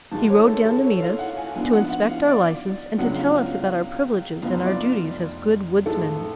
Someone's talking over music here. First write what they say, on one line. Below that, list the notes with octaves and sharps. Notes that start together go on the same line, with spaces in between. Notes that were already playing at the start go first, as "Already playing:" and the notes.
He rode down to meet us, to inspect our license and to tell us about our privileges and our duties as good woodsmen.
G#1 G#2 G#3 A5
C#5
A4
A4
C#5
F5
F#5
G#5
G#2 F3 B3 D4 G#5
F#5
F#5
F5
D5
C#2 C#3 F#3 B3 D4 F#5
F5
F5
F5
F5
F1 F2 F3 B3 F5
D5
A1 G#2 G#3 A4